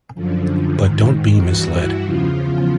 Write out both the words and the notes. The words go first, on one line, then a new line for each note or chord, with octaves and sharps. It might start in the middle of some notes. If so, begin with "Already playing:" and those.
But don't be misled.
F#2 D3 F3
G#2 D#3
G2 E3 F#4
E4
E2 C#3 F3 F4